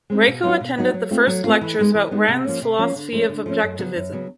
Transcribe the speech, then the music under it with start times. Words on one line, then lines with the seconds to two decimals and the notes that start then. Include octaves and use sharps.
Raico attended the first lectures about Rand's philosophy of Objectivism.
0.10 G#3 C4 D#4
0.27 B2
0.43 F#3 B3 D#4 F#4
0.61 B2
0.77 F#3 B3 D#4 F#4
0.94 F#3
1.11 A3 C4 F4
1.27 F#3
1.44 A3 C4 F4
1.61 E3
1.78 G#3 B3 D#4
1.95 E3
2.11 G#3 B3 D#4
2.28 C3
2.44 F3 A#3 C#4
2.62 C3
2.79 F3 A#3 C#4
2.95 D3
3.12 F3 A3 C#4
3.29 D3
3.46 F3 A3 C#4
3.62 F#2
3.79 C#3 F#3 B3
3.96 F#2
4.12 C#3 F#3 B3